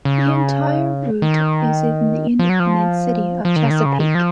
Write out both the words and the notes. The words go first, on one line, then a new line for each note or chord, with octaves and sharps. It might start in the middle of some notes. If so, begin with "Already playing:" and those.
The entire route is in the independent city of Chesapeake.
C#3
D#3
F3
F#3
F3
F3
D#3
C#3
D#3
C#3
D#3
F3